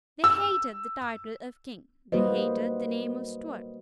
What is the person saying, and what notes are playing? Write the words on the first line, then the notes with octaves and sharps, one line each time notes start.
They hated the title of King. They hated the name of Stuart.
E6
G3 A#3 F#4 B4 C5 D#5